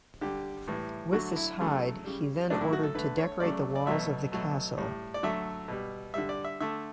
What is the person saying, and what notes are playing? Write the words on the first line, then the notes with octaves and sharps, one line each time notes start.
With this hide he then ordered to decorate the walls of the castle.
D3 G3 G4
A2 E3 G3
D3 F#3 A3 F#4
E4
C#3 F#3 A3
C#3 G3
A2 F#3 A3 D4
E4
F#4
A4
D3 A3 B4
C#5
C#3 F#3 A3 D5
D5
B2 F#3 A3 E5
B2 F#3 A3
A2 G3
D5
D3 F#3 A3 E5
B2 G3
D3 G3 E5
D5
E5
D3 A3 E5